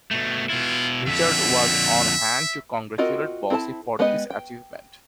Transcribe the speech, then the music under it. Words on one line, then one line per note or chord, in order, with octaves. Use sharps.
Richard was on hand to congratulate Bossy for this achievement.
B2 A3
B2 E4 F4
F2 D3 E5
C4 F4 F#4 A#4 D#5
C4 E4 A4 D#5 A5
G#3 B3 G4 B4 D#5
G5